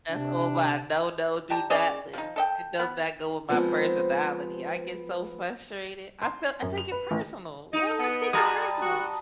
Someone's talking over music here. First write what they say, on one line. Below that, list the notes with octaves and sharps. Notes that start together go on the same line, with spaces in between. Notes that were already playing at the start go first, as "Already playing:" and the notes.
that's all mine, no, no, do not list. It does not go with my personality. I get so frustrated. I feel, I take it personal. Why do I take it personal
C3 D4
G4 D5 A5 A#5
C#4 G#4 D5 D#5
F3 D#4
A4 D#5 G5
B3
F3 G#3 B3 C4 C5
C6
F#2
F7
B4
A1
D#4 D#5
B3
G3 F#4 G#4 A5 A#5 D#6
F#4